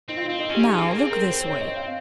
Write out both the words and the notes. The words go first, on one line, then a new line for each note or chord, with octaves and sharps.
Now, look this way.
C4 D#4
F4
D#4
C4
D#4
C#4 G4
C#4 G#4
C4
A#3 G#4
C4
A#4
A#4
C5
C#5
D#5
F5